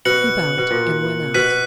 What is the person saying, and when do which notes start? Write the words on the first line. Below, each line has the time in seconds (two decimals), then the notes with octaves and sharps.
He bowed and went out.
0.05 B2 F#6 C#7 F#7
0.58 B2
0.71 A#2
1.34 B2 F#6 B6 D#7 F#7